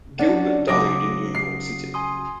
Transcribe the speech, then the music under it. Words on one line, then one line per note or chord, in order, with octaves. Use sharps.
Gilbert died in New York City.
C#4 D4 D5 F#5
C#3 F#3 F#4 D6 D#6 A#6 D7
C7
G#5 C6 D#6